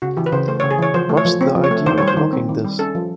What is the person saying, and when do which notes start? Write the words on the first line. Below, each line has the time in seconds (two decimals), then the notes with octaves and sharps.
What's the idea of locking this?
0.02 C#3 F#4
0.17 E3 G4
0.26 B4
0.32 C#3 C5
0.48 A3 C5
0.60 C#5
0.63 C#3
0.71 G#4
0.79 E3 C#5
0.94 F3 C5
1.09 A3
1.17 C#5
1.25 F3
1.41 C4
1.55 F3
1.64 C#5
1.71 A3
1.86 D#3 C5
1.98 G3 C#5
2.08 C5
2.17 D#3
2.33 C4
2.49 D#3
2.64 G3
2.79 C#4 A4
2.95 F3